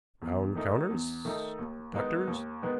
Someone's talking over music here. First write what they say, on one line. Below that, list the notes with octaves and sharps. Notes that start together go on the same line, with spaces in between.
Round counters--doctors.
E2
D#3 A3 D#4
E2
D#3 A3 D#4
D#2
D#3 G#3 B3 D#4
D#2
D#3 G#3 B3 D#4